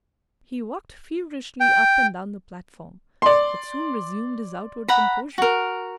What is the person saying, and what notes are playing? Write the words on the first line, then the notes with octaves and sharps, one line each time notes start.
He walked feverishly up and down the platform, but soon resumed his outward composure.
G5
D5 C6
F#5 A#5 B5
F#4 A#4